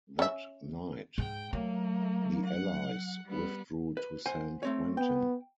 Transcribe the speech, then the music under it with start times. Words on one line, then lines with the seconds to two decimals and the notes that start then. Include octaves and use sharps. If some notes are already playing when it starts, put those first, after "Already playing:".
That night, the Allies withdrew to Saint-Quentin.
0.19 C#4 E5
1.18 G#2 G5
1.53 F#3 A3 A#3
2.44 F#5
3.24 G3 B3
3.97 B4
4.26 C5 F#5 G#5
4.63 A3 C4 C#5
4.97 B3 G5